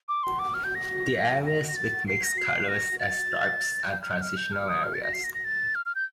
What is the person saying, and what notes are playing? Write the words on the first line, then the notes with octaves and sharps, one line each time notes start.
The areas with mixed colors as stripes are transitional areas.
D6
C6
D6
F6
G6
A#6
A#6
A#6
A6
C7
A#6
C7
A#6
A6
G6
F6
G6
F6
G6
F6
D#6
F6
A6
A#6
C7
A#6
A#6
A6
F6
F6
G6